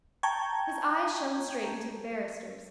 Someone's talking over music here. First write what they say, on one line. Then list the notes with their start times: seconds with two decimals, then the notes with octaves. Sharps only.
His eyes shone straight into the barrister's.
0.23 G5 A5 A#5 C#6 G6 G#6